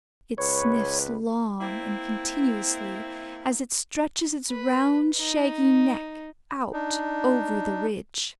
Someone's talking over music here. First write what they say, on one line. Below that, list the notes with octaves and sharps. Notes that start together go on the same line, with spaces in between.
It sniffs long and continuously, as it stretches its round, shaggy neck out over the ridge.
C#2 B4 C#5
A#3 C4 E4
B4
D#4
D4 D#4